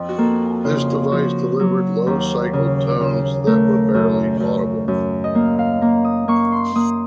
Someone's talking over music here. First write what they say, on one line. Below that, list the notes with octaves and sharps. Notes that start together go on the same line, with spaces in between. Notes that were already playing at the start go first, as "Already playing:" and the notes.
This device delivered low-cycled tones that were barely audible.
Already playing: F2
F#4
A#3 A4
C#3 F4
F3 F#4
F#3
D#2
C#3
C#3
A3 A#4
F#2
F#2
F#2
D#5
A#3 F5
F5
A#3 A#5
D#6
A#3 C#6
C6
A#3 D#6